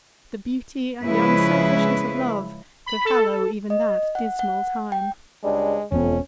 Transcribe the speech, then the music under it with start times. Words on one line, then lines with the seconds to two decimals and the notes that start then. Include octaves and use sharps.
The beauty and the unselfishness of love could hallow even that dismal time!
1.04 C#3 F3 G#3 E4 B4
2.86 B5
3.05 A4
3.70 D#5
4.15 F#5
4.39 F#5
4.92 G5
5.43 C#2 G3 G#3 D4
5.92 E1 F2 B3 C#4